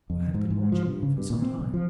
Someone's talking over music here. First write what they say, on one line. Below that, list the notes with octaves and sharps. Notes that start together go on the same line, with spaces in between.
"I have been watching you for some time."
F2
G#2
G#2
F3
G2
C#3
G2
A#2
C4
B1
F3